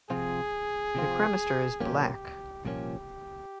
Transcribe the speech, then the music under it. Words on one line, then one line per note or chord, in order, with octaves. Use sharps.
The cremaster is black.
C3 F3 C4 F4 G#4
C3 F3 C4 F4
C2 A#2 F3 A#3 C#4 G4
C2 A#2 F3 A#3 C#4 G4